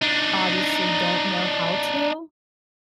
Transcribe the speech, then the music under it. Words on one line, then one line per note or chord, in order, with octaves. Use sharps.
obviously don't know how to,
D4 D#4